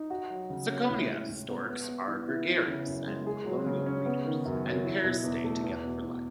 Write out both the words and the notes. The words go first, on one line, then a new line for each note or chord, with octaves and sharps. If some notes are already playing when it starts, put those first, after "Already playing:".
"Ciconia" storks are gregarious and colonial breeders, and pairs stay together for life.
Already playing: D#4
F#4
F#3
C#3
C#4
A2
G#3
A2
B3
B4
B3
E3
E4
B3
C#3
F#2
G#3
G#4
F#3
C#3
C#4
B3
D#3
F#2
F#3
E4
B2
E2
A3
E2
B2
E2